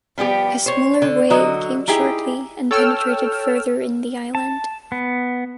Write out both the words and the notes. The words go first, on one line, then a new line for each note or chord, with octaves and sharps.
A smaller wave came shortly and penetrated further in the island.
F3 G3 B3 G4
C5 C#5
D3
D3 F#3 F#4 D#5
D#4 E4 G4 G#4
A4 C#5 G5 E6 F6
A5
B3